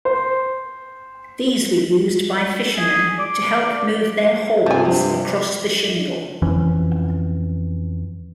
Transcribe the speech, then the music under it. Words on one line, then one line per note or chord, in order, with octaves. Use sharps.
These were used by fishermen to help move their hauls across the shingle.
C5
G#4
D5
G2 C3 F3 G#5
F2 E3 C#4